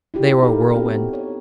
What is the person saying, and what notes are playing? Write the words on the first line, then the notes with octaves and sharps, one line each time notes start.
They were a whirlwind.
E4 F4 G4
D#4 A4 A#4
B3 C4 D#4 F#4 G4 A4
C#5